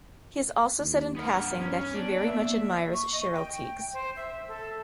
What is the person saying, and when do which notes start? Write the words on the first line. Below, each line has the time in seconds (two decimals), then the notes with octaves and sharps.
He has also said in passing that he very much admires Cheryl Tiegs.
0.78 D#2
1.17 G2 B3 A#4
1.61 C#4
1.95 B3 D4
2.27 A#3 E5
2.93 C#6
3.13 D#5
3.32 G5
3.93 C5
4.16 E5
4.48 A4